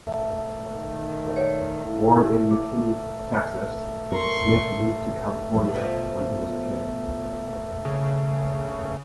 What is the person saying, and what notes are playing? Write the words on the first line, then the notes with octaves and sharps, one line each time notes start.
Born in McKinney, Texas, Smith moved to California when he was a kid.
D#3
C#5 D5
A2 A#3 E4
D6
A#4 C6 C#6
B2 F3 B3
C#3